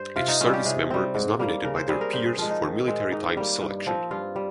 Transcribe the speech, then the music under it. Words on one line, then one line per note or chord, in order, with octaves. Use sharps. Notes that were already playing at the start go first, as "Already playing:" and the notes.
Each service member is nominated by their peers for Military Times selection.
Already playing: G2 C5
C3 F4
D#4
G3 C#4 F4
G4
C3 G#4
G3 C4
G#2
G3 A#3
C#3 A#4
C5
G3 C4 G#4
A#4
G2 C5
G#4
F3 G#3 F4
D#4
D#3
G#3 C4
G#2 D#4
G3 A#3
G2
F3 C4
G2 F4
G3